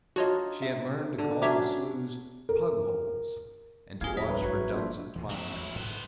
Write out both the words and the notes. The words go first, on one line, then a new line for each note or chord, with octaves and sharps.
She had learned to call the slews "pugholes," and to watch for ducks at twilight.
D4 D#4 F4 F#4 C#5 D#5
E5
D3
F#3 C#4 D4 E5 A#5 D6
A#4
A#3 C4 E4 G4 G#4 F5 G#6
E2 C3 C#5 D#5 A#5 B6
G2 B4
G#1 F#3 B5 C#6 G#6
E5
G2 A#2 F3 A5 C6 G6
G#2 E3
F#3 G#3 A3 B3 E4
A1
G#2 D3 F#3 B3 C5